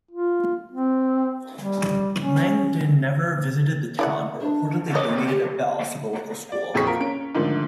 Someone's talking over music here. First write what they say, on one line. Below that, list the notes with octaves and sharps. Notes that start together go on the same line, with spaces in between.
Langdon never visited the town, but reportedly donated a bell for the local school.
F4
C4
G3
C#4
E4 D5 F#5
D4
C#5 D#5 D6
G4
D5
D#1 F2 G#4 C5 C#6 B6
F4 A#4
C#4 D7
G#2 D3 D#3 F3 A3